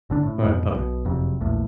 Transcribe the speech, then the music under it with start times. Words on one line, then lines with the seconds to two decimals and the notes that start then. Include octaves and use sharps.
Alright, bye-bye.
0.10 G1 D3 D4
0.23 A2
0.44 F2 G#2 B2
0.72 B1 B2
1.05 F#1 F2 C3
1.41 A#1 E2 A2